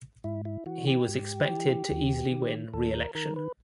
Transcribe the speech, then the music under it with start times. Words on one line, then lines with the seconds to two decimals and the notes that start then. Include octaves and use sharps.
He was expected to easily win re-election.
0.24 G#2 E4
0.45 E4
0.66 E3 F#4
0.87 G4
1.08 G#2
1.49 E3
1.90 D#2
2.31 D#3
2.73 D#2 A4
2.94 A#4
3.15 D#3 A#4
3.36 B4